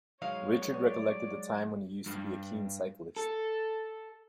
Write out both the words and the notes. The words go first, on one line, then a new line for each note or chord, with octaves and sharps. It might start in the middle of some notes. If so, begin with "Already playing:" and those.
Richard recollected the time when he used to be a keen cyclist.
F#3 G#3 D#4 C#5 F5
B3 D5
G2
A4